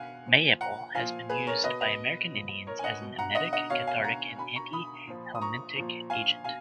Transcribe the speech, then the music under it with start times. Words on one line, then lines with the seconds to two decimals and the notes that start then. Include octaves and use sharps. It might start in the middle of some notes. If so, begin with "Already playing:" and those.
Mayapple has been used by American Indians as an emetic, cathartic, and antihelmintic agent.
Already playing: B2 F5 F#5 G#5
0.27 A#2 F3
0.61 F#5 A#5
0.95 A#2 F3 F5 G#5
1.30 G#4 B4
1.47 A#4 C#5
1.64 B2 B4 D#5
1.81 B4 D#5
2.32 A#2 F3
2.67 A#4 C#5
2.79 G#5
2.84 D#5 F#5
3.01 B2
3.18 F#5 A#5
3.35 D#5 F#5
3.53 D#5 F#5
3.70 B2 C#5 F5
3.87 F5 G#5
4.04 F#5 A#5
4.38 B2 G#5 B5
4.56 A#5 C#6
4.73 B5 D#6
5.07 A#2 F3
5.35 D#6
5.41 A#5 C#6
5.76 A#2 F3
6.10 F5 G#5
6.44 B2 F5 G#5